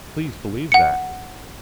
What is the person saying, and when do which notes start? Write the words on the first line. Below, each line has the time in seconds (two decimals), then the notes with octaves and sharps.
"Please believe that."
0.72 F#5 C#7